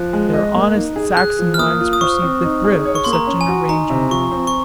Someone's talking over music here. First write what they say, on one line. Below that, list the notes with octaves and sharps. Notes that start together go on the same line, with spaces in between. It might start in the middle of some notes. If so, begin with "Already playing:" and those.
Their honest Saxon minds perceive the thrift of such an arrangement.
Already playing: F3 F#6
G#3
D#5
A#3
D#4
G#4
G#4 F#6
F3
F6
A#3 D#6
F4
D#6
C5 C#6
C4
D#4
G#4
C#5
C#6
A#3 C6
A#5
C#4
G#5
F#4
D#4 A#5
C3
F3 C#6
C4
C#6